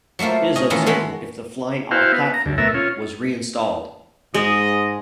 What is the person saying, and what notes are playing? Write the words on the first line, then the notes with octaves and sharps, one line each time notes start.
It is uncertain if the flying-off platform was reinstalled.
F#3 A3 A#3 F4 C5
C#4 D#5
D#3 E3 A3 C#4 E4 F4
G#3 F#4 B5 C6
E4 F#4 C5 F5 G5
B3
A#5
D2
B2 A3 A#4 E5
C#4 F4
G#2 G#3 D#5